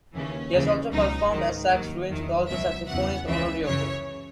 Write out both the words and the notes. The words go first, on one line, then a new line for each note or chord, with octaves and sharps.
He has also performed as Sax Ruins with alto saxophonist Ono Ryoko.
D#2 C#3 E3 C#4
D#2 C#3 E3
C#2 B2 F#3 D#4
G#2 D#3 F#3
D#2 D#3 F#3
E2 D#3 F#3
C#2 B2 F#3 E5
E2 C#3 E3 F#5
C#2 C#3 E3 E5
F#2 C#3 E3 C#5